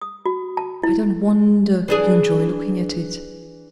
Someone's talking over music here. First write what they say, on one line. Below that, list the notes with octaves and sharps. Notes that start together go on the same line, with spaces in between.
I don't wonder you enjoy looking at it.
D#6
F#4
A5
E4
E3 D4 G#4